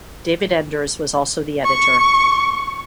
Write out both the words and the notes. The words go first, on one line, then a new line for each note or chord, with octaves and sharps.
David Enders was also the editor.
C#6